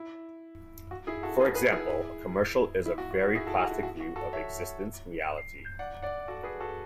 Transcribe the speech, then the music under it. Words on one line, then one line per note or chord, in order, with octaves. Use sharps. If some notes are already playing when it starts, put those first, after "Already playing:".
For example, a commercial is a very plastic view of existence and reality.
Already playing: E4
F#4
E4 G#4
F#4 A4
G#4 B4
G#4 B4
E4 G#4
E4
F#4
F#4
F#4
E4 G#4
F#4 A4
F#4
E4
F#4
F#4
F#4 A4
C#5 E5
D5 F#5
D5 F#5
F#4 A4
G#4 B4
F#4 A4